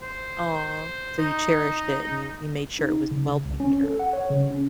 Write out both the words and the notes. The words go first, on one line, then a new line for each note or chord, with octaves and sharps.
Aw, so, you cherished it, and you you made sure it was well taken care of.
C5
C5
D#4
D#4
C#3
C2
C#4
A4
F#5
C#5
C#3
C#4